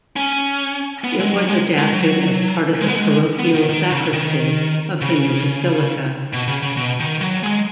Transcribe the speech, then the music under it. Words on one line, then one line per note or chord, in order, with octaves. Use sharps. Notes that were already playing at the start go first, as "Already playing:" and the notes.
It was adapted as part of the parochial sacristy of the new basilica.
C#4
B3
G#3
F#3
G#3
G#3
F#3
G#3
B3
G#3
B3
D#3
D#3
C#3
D#3
C#3
B2
C#3
C#3
B2
D#3
F#3
G#3